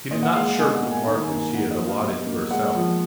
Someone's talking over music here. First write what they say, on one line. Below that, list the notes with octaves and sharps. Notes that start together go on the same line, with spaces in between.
She did not shirk the part which she had allotted to herself.
A#2 D#5
F#5
G#3 F5
B2 G#5
F#5
A#3
G#5
D#3 A#5
G#5
A#3
G#5
A#3 F#5
D#5
F#3
F5
B2
A#3
G#3 F#5
F3